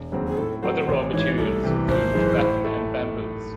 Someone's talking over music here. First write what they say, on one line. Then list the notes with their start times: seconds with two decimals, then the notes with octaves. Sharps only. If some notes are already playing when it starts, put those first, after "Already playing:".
Other raw materials include rattan and bamboos.
Already playing: E1
0.12 D#2 C#3 F#3 C4
0.27 G#4
0.38 A2 A4
0.62 F#3 C4 F#4 A4 C5
0.79 A4
0.88 A1 C5
1.12 G#2 E3 C#5
1.38 C2 A4
1.64 C3 E3
1.88 G#1 C5
2.14 F#2 E3 G#3
2.38 A2
2.64 A3